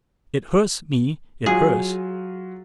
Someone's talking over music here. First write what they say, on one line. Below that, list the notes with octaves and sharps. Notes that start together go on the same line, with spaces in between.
It hurts me, it hurts.
F#3 F4 G#4